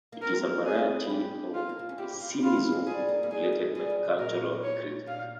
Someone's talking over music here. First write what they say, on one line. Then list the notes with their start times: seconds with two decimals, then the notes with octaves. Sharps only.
It is a variety of pessimism formulated by a cultural critic.
0.12 A#3
0.22 C4 A#4
0.66 G#4
1.04 E4
1.10 C#4 G4
1.54 F4
1.69 A#3
1.79 C4
1.89 C#4
1.98 E4 G4
2.20 F4
2.42 E4 F4
2.57 C4
2.72 G#3
2.86 G3 G#4
3.09 A#3
3.23 G3
3.31 G#3 G#4
3.53 G#3
3.75 G3 G#4
3.90 F3
4.05 C#3
4.19 A#2 A#4
4.63 C#5
5.07 A#2 F5